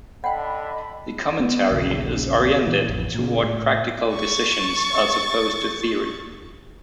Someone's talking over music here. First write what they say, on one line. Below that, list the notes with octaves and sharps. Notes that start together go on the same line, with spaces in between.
The commentary is oriented toward practical decisions as opposed to theory.
D3 D#5 F#5 G5 B5
B3
A#1 D#2 C#3
A#2 E3
A1 F2
A#2 C#3
A2
C#6 A6